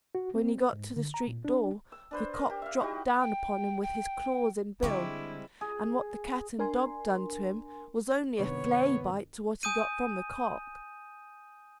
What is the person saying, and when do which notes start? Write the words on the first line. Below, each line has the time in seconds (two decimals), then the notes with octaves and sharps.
When he got to the street door, the cock dropped down upon him with his claws and bill, and what the cat and dog done to him was only a flay-bite to what he got from the cock.
0.15 F#4
0.35 C4
0.73 G#2
0.96 D3
1.14 A#5
1.27 A#2
1.45 D4
1.92 E6
2.11 D4 B4 C5
2.33 A#4
2.50 G4
2.62 E5 F5
2.80 D#4 E4 F#4 G4
3.20 G5
3.82 G5
4.83 D3 G3 G#3 C4 E4 G5 C#6 D6
5.61 G#4
6.59 D4 A#4 G#5 C6
8.39 G2 C3 D#3 B3 C#5
9.63 G#5 D#6 G6 D#7